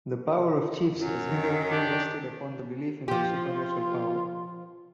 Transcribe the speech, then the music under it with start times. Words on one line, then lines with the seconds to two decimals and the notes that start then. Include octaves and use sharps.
The power of chiefs has hitherto rested upon the belief in their supernatural power.
0.95 F#2
1.29 D#3
1.70 D4 G4
3.08 F3 F4 G4 C6